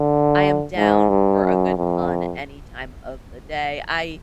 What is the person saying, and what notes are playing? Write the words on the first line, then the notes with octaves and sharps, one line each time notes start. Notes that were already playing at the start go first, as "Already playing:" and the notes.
I am down for a good pun any time of the day. I
Already playing: D3
G#2
G2
F#2
F2